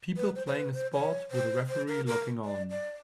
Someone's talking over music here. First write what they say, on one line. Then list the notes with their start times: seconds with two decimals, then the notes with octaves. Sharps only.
People playing a sport with a referee looking on.
0.17 B4
0.35 C5
0.47 C5
0.55 B4
0.74 C5
0.93 C#5
1.31 C5
1.69 C5
1.88 A#4
2.07 A#4
2.44 D5
2.70 D5